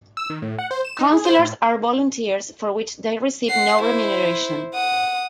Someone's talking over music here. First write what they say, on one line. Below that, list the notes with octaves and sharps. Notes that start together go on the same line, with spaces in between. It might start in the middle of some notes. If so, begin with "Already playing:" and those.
Councillors are volunteers for which they receive no remuneration.
E6
D#3
A2
F#5
C5
E7
D#4
G#4
C5
A2
F#5 C7
E4 C5
F#5 D#6